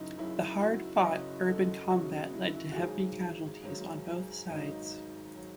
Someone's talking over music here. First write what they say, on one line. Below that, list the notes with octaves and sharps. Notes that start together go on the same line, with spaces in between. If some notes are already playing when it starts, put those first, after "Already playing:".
The hard-fought urban combat led to heavy casualties on both sides.
Already playing: F#1 F#2 C#3 F#3 D#4 E4
F#1 F#2 C#3 F#3 E4
F#4
F#1 F#2 C#3 F#3 D#5
A4
F#1 F#2 C#3 F#3 F#4
E4
E4
F#4
G#1 G#2 F#3 G#4
G#1 G#2 F#3
G#1 G#2 F#3 D#4
F#3